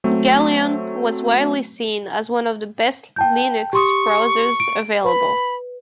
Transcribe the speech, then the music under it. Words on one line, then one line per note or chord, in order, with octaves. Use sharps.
Galeon was widely seen as one of the best Linux browsers available.
F#3 A3 C4
G5 A5 G6
G4 C6 C#6 D#6
D7
B4 B5